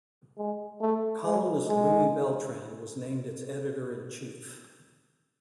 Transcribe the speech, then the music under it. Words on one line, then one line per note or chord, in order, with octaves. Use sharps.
Columnist Louie Beltran was named its editor-in-chief.
G#3
A3
G#3
G#3